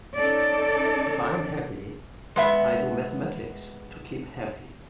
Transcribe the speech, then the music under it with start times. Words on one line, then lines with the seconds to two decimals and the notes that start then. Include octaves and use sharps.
If I am happy, I do mathematics to keep happy.
0.16 C#4 D#4 A4 D5
2.36 G#3 B3 E5